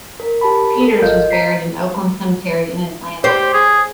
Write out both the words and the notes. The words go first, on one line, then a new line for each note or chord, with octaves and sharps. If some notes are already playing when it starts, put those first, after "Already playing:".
Peters was buried in Oakland Cemetery in Atlanta.
A#4
G4 A5 B5
A4 A#4
G#1 F4 D#5 F5 G6
A#5 B6 C7
G4 C5
G#4